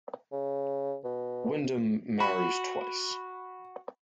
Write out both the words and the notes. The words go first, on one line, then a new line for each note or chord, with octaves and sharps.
Wyndham married twice.
C#3
B2
F#4 B5